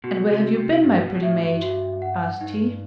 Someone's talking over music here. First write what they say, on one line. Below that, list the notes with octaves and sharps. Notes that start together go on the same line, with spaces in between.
'And where have you been, my pretty maid?' asked he.
B2 F#4
C3
F#4
C3
G2 F#4
B2
B2
A2 E5
G2
F#4
F#5
G2 D#4